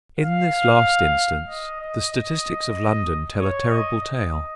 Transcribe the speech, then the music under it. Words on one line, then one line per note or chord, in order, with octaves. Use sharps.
In this last instance, the statistics of London tell a terrible tale.
F5
D#5
D#5
D#5
C#5
D#5
D#5